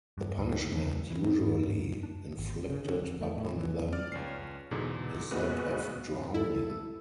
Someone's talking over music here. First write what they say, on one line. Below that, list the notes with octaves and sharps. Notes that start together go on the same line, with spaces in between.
The punishment usually inflicted upon them is that of drowning.
G2
D2
E2
E3
C4
G#2
F#2
G#2
F#2
D4
G#1
C#3
D3
F2
A3
A2
E3
D5 F6
C#2 C#4 C7
E2 G#2 B2 D3
A#2 C#3 G#3 B3 F#4 B4
E4 A4